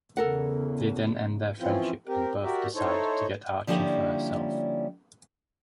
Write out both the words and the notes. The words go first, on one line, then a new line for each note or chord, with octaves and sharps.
They then end their friendship and both decide to get Archie for herself.
E2 C#3 A4 A#4 F#5
E3 F3 C4 C#4 E4 F4
C4 G4 A#4
F#4 G4 A#4 D5 E5
D#4 E4 A4 C5 C#5
D3 F3 G3 A#3 C#4 E4